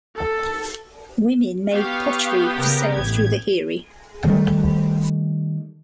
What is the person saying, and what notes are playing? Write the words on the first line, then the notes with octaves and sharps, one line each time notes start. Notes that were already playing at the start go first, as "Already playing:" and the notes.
Women made pottery for sale through the "hiri".
A4
B3 G4 F5 C#6
C#3 A#4
A1 G#6
D#3 G3 A3